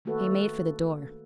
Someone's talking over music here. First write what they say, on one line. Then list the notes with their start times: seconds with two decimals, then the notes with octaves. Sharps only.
He made for the door.
0.05 D#3 A3 A#3 F#4 A4 B4